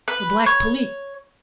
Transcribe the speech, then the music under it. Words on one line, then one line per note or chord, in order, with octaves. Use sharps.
The Black Police.
B4
C#5